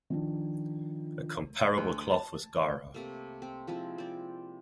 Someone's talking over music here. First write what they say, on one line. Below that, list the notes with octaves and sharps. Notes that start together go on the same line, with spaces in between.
A comparable cloth was garha.
D#3 F3 D4
D2
A5
C3 A3 A#3
C4
F3 G#3 C4 E4
C4 D5